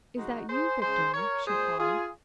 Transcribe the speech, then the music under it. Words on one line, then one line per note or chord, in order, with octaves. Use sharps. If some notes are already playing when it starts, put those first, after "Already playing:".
"Is that you, Victor?" she called.
C3 F3 G#3 D#4 F#4
G#4 C5
C#3 G#3 G#4 C5
A#4 C#5
A#2 G#3 G#4 C5
F4 G#4